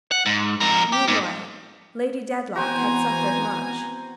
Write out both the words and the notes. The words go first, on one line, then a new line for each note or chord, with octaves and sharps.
Meanwhile Lady Dedlock had suffered much.
F#5
G#2
F2 A#4
G4
G#2
E3 B3 C4 F#4 C5 G5 G#5 A#5